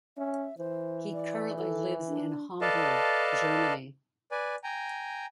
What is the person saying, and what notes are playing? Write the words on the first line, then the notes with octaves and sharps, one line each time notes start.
He currently lives in Hamburg, Germany.
C#4 E5
E3 C5
D5
A4
D4
A4 B4 D5 D#5 F5 A5
B4 D5 G#5
G5 G#5 A#5